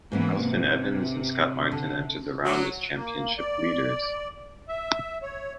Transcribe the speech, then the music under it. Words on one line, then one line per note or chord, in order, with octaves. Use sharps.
Elfyn Evans and Scott Martin entered the round as championships leaders.
G#2 E3 A#3 B3 C#4
C3
D3
F#3
A#3
D5
E5
C#5